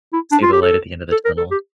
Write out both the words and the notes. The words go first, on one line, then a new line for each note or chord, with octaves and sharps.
See the light at the end of the tunnel.
E4
D4
F4
G4
A4
A4
A#4
A4
G4